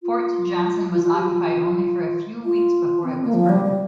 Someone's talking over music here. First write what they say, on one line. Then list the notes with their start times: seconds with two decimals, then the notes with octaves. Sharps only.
Fort Johnson was occupied only for a few weeks before it was burned.
0.03 F4
0.94 F4
1.04 F4
1.14 G4
1.23 F4
2.45 F4
3.04 C4
3.24 A#3
3.34 F3
3.49 G3
3.65 G3